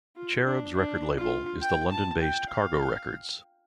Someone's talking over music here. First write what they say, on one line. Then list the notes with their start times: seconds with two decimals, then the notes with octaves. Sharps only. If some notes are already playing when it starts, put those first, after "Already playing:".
Cherubs' record label is the London-based Cargo Records.
0.16 F4
0.45 D4
0.74 D4
1.18 F4
1.61 G5
1.91 A5
2.21 G5
2.49 F5